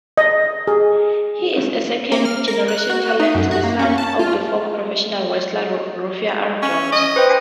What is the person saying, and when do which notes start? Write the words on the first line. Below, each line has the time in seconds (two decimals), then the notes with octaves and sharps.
He is a second-generation talent, the son of former professional wrestler Rufus R. Jones.
0.17 D#5
0.67 G#4
2.12 A#3
2.25 F6
2.48 A#4
2.68 F#6
2.90 F#4
3.20 D#4
3.34 F#2
3.51 F#4
3.64 A#3
3.79 C#4
3.98 A5
4.19 F4
6.62 C#4
6.92 D#5
7.16 B4 C5 G5